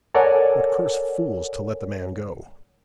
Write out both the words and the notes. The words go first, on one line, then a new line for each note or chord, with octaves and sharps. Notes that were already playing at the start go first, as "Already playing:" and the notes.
'What cursed fools to let the man go!
A4 A#4 C#5 D5 F#5 G#5